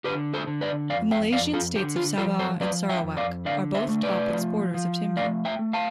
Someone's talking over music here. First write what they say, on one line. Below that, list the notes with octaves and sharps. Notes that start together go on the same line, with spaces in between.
The Malaysian states of Sabah and Sarawak are both top exporters of timber.
D3 G4 B4
A4 C5
D3
B4 D5
F2 D5 F5
E5 G5
F2 D5 F5
F4 A4
D3 G4
F4
F3 F4 A4
A4 C5
F3 B4 D5
E5 G5
F2
D5 F5
D3 D5 F5
C5 E5
A3
B4 D5
F3
F3
A3 D5 F5
E5 G5
A3
F5 A5